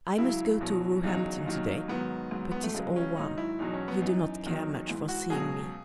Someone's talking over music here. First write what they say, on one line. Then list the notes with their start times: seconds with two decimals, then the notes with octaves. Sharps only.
I must go to Roehampton to-day, but 'tis all one, you do not care much for seeing me.
0.18 C#2 C#3 F#3 E4
0.61 E2 B2 F#3
1.04 E2 C#3 F#3 D#4
1.46 D#2 D#3 F#3
1.88 G#2 D#3 F#3 B3
2.31 G#2 F#3
2.52 B3
2.63 A3
2.74 C#2 C#3 F#3 G#3
2.96 C#4
3.17 G#2 D#3 F#3 D#4
3.38 E4
3.59 E2 B2 F#3 D#4
3.74 C#4
3.88 B3
4.02 F#2 E3 D#4
4.46 E2 D#3 F#3
4.87 G#2 E3
5.08 F#4
5.30 C#2 B2 F#3 G#4